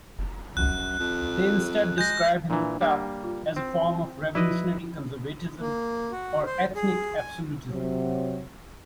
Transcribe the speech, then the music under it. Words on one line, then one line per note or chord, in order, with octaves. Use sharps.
They instead describe Hindutva as a form of "revolutionary conservatism" or "ethnic absolutism".
F#2 F#6
F2
G#3 G6 A#6
A#2 E3 D4 A#5
G3 A#3 D4
F4
C4
F3 D#4 E4 F#4 B4 D#5
A#3
F#4
C5
G#4
G#5
C3 F#3